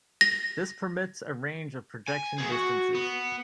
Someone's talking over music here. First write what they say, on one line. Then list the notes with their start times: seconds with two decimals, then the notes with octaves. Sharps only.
This permits a range of projection distances.
0.21 A#6
2.08 G#5
2.38 B3 G#4
2.52 F#4
2.95 B3